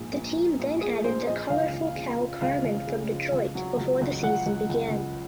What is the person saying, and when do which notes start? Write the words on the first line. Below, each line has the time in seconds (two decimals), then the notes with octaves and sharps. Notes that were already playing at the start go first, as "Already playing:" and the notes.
The team then added the colorful Cal Carmen from Detroit before the season began.
Already playing: A#1 G#2
0.13 A#1
0.36 F3
0.59 A#1
0.81 F3 G#4
1.04 A#1 C5
1.27 A#1 D#5
1.50 C#2 F5
1.73 C#2
1.96 C#3
2.18 F3
2.41 C#2 F5
2.64 C#2
2.87 C#3
3.10 F3
3.32 C#2
3.55 F#3
3.78 C#2
4.01 C#2
4.23 C#2 F#5
4.46 C#2
4.69 C#2
4.91 C#2